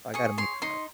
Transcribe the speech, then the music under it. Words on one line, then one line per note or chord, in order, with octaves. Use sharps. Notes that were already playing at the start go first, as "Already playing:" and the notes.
I gotta meet them up.
G#4 C#6
C#5 C6
D#4 C6